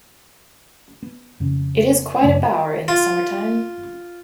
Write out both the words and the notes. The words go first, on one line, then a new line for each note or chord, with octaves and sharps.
It is quite a bower in the summer-time.
B3
F2 C#3
F#2 C#3 A3 C#4
F4